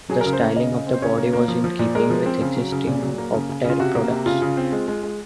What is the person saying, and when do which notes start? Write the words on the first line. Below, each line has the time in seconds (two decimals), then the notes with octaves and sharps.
The styling of the body was in keeping with existing Optare products.
0.10 F#3 G#4
0.21 C#3 A#4
0.33 C5
0.41 A#3 C#5
0.56 C#3 D#5
0.72 C#3
0.87 C4
0.94 C5
1.02 C#3 C#5
1.18 A#3
1.33 A#3
1.48 F3
1.64 F3
1.79 A#2
1.95 G#3 A#4
2.10 F3
2.26 C4
2.41 C#3
2.57 F#3
2.72 C#3
2.87 A#2 G#4
3.02 F#3
3.18 A#3
3.33 C#3
3.49 C#3
3.64 C#3
3.69 F4
3.80 C3 F#4
3.95 A#3
4.11 C3
4.26 C#3 F4
4.42 C#3
4.57 C4
4.72 G#3
4.88 G#3
5.03 G#3